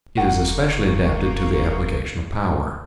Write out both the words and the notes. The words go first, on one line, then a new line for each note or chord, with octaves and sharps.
It is especially adapted to the application of power.
F1 A#3 F#5 C#6